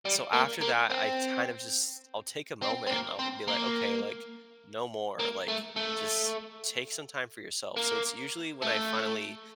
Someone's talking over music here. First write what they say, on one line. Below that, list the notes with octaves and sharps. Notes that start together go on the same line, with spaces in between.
so after that, I kinda just I'll take a moment, and I'll be like, "Okay. Like, no more. Like, just take some time for yourself." So, it's usually when I finally
G3
A#3
A#3
C4
C4
C4
A#3
C4
A#3
A#3
A3
A3
A#3
A3